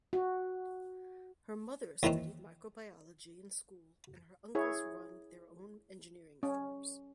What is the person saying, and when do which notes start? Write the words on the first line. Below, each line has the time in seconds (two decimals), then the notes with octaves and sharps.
Her mother studied microbiology in school and her uncles run their own engineering firms.
0.13 F#4
2.03 D#2 D#3 E3 C4 C#4
4.55 E4 G#4 C#5
6.43 C#4